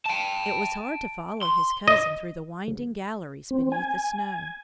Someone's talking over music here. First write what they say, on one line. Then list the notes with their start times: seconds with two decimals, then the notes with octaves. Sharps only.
It was hard to follow his cousin through the winding galleries beneath the snow.
0.06 G5 A5
1.43 C6
1.88 D#5
3.51 C4
3.72 G#5